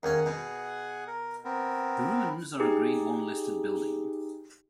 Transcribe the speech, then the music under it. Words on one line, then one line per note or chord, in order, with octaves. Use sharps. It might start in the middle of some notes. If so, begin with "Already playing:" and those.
The ruins are a Grade One listed building.
D#2 C#4 G#4 F#5
B2
A#4
B3 C4 A#4
D#4 G4 G#4